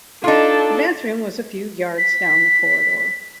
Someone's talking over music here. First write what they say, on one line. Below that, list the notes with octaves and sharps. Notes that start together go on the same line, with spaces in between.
The bathroom was a few yards down the corridor.
D4 D#4 F4 A4
B6